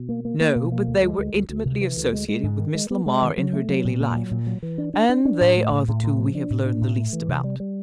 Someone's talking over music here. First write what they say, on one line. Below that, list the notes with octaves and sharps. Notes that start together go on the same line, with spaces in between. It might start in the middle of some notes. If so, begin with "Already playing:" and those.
"No, but they were intimately associated with Miss Lamar in her daily life and they are the two we have learned the least about."
Already playing: B2
A#3
A#3
A#3
B2
A#3
D2
G#3
D2
D2
D2
C3
E3
D2
G#3
G#3
G#2
D#3
G#3
B3
G#3
D#3
F#3
A3
F#3
A#2
A#2
F#3
A#2
F#3
E3
D4
D4
D4
D4
A2
A3
A2
A2
A2
F3
D4
A2
D4
A2
A3
E3
C3
G3
G3